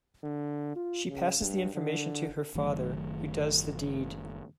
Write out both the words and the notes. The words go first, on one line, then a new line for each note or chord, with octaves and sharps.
She passes the information to her father, who does the deed.
D3
F4
C#3
G2
D3
F#1 D#3 F#3 A3